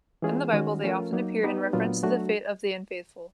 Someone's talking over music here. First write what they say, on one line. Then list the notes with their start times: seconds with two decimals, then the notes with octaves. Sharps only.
In the Bible, they often appear in reference to the fate of the unfaithful.
0.22 E3 G#3 C#4 F4 G#4
0.52 D#3 G#3 C#4 F#4
0.84 F3 A3 C#4 F4 A#4
1.13 F#3 A#3 D#4
1.43 B3 D#4 G4 B4
1.73 A#2 F#3 B3 D4 F4
2.03 F#3 A3 D4 F#4